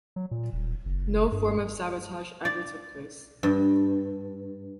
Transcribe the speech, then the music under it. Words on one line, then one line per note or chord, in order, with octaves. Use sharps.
No form of sabotage ever took place.
F#3
A#2
D#1
F#1
G2
D5
G2